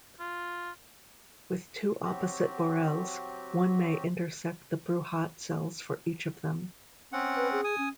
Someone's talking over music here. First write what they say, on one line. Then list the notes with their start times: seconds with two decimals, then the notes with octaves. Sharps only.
With two opposite Borels one may intersect the Bruhat cells for each of them.
0.20 F4
2.04 F#3 C4 F#4 G4
7.13 C4 C#4 F#5
7.36 B4
7.52 G#4
7.64 G#5 D#6
7.78 C#4